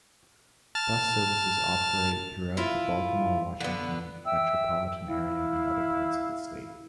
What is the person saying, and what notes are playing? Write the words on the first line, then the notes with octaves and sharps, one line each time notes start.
Bus services operate throughout the Baltimore-Washington Metropolitan Area and other parts of the state.
A5 F6 A6
E4 F4
D3 B3
E5 G5 E6
E4 F5